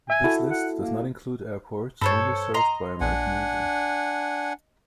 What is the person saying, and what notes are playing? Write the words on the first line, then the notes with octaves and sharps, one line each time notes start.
This list does not include airports only served by American Eagle.
E5 G#5
E4 F#4 A4
F#5
A#3
G2 A4 C5 C#5 B5 A6
D#5 A#5 C6
A#1 D4 F#5 G#5